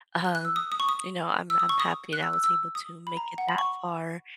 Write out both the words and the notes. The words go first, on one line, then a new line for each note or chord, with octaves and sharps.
um, you know, I'm I'm happy that I was able to make it that far
F#6
F#6
E6
D#6
D#6
C#6
D#6
E6
D#6
C#6
D#6
F#6
E6
E6
E6
D#6
B5
A#5
F#5
B5
C#6